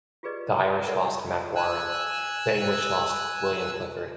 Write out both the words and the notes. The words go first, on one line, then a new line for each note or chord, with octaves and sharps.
The Irish lost MacGauran; the English lost William Clifford.
F4 G4 G#4 B4 D5 D#5
B4 G5 A5
A4 A#4 C#5 D5 E5 F#5
G#5 E6 F#6